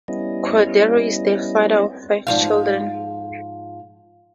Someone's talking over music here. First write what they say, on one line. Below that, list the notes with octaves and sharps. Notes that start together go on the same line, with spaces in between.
Cordero is the father of five children.
G3 B3 C#4 E4 D#5
G#2 F3 F5